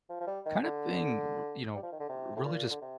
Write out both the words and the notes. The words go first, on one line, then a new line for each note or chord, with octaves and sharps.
kinda being r you know, really, just,
F3
F3
G3
D#3
D3
G3
F3
D#3
D3
C3
A2
A#2
D3
C3